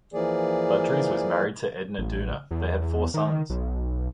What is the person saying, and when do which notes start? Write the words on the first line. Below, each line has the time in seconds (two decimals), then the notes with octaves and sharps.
Budrys was married to Edna Duna; they had four sons.
0.14 E3 F3 A#3 G#4 D5
1.99 A1
2.51 E2
3.14 D#3
3.50 B1